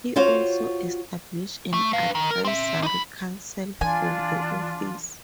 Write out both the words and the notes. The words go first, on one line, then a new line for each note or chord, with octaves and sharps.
He also established an advisory council for the office.
F4 F#4 C5 C#5 F5
A3
B4 F5
D#3
A#4
C4 E5
D#4 B5
E3 D4 F4 G#5